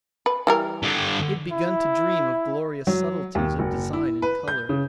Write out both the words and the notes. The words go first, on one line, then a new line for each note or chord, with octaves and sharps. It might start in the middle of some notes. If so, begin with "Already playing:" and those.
He had begun to dream of glorious subtilties of design and colour.
B4
E3 G3 A#4
G2 D3
E4
F#3
D#2
F#1
E4
B4
G6
C#3